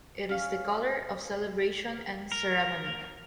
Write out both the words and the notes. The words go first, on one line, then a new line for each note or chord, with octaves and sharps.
It is the color of celebration and ceremony.
C#4 F5
A#4